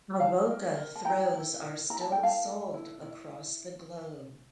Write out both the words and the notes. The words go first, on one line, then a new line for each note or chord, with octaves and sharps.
Avoca throws are still sold across the globe.
E4 F5 A5
A#4
A#4
A5
E4 G5 A#5
E4
A#4
E4 A#5
A5
G5
A4
F5 A5
A4
E4
E4